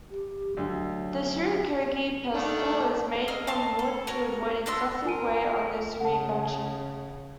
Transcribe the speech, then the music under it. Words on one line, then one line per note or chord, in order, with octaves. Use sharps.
The "surikogi" pestle is made from wood to avoid excessive wear on the "suribachi".
G4
D2 F#3
D#3 A3 D4
G#4 D#5 F6
F5 A5 C#6
A4
F#4 A#4 C#5
D4 F#4 C6 E6
F4 A#4 G#5 D#7
C#3 F#5 A5